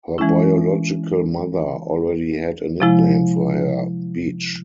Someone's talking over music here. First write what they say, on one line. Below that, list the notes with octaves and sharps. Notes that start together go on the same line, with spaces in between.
Her biological mother already had a nickname for her, beach.
E3 G#3 C#4 E4
C3 F3 G#3 E4